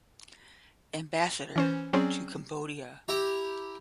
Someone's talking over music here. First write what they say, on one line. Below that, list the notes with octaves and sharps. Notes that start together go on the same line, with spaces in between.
Ambassador to Cambodia.
E3 C#4 C5
F#3 C4 C#4 G#4 D5
E4 G4 E5 A#5